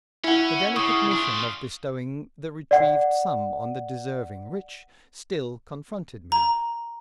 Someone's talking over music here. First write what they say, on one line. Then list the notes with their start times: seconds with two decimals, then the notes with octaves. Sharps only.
The delicate mission of bestowing the retrieved sum on the deserving rich still confronted me.
0.24 C#4 E4 F#5
0.76 C#3 C#6 D#6
1.12 D4 F4
2.71 D5 F#5
6.32 A#5